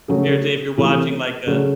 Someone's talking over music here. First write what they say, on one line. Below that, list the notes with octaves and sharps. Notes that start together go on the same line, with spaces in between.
compared to if you're watching, like, a
C#3 F#3 A3 G#4
C3 E3 A3
C#3 F#3 A3